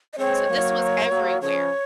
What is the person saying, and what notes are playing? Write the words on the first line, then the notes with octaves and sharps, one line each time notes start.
so this was everywhere.
D#5
G#3 C4 C#5
F#3 A#3
F#3 A#3
C#3 F3 C#5